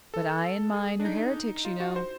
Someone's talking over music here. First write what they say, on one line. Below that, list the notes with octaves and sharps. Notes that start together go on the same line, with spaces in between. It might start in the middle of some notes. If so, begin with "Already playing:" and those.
"But I and mine are heretics, you know!"
A4
G#4
D4
D#4
F4
F#4
C5